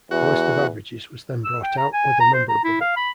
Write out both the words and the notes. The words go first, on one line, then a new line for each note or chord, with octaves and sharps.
A list of averages was then brought out, with a number above it.
E2 F#4
E6
G5
A#5
G#5
A#5
C5
A#5
E4
F5
B5